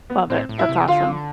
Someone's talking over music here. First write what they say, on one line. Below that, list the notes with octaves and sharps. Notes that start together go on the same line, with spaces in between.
Love it. That's awesome.
B3
A2 C4
A2
E4
C3
D3 F4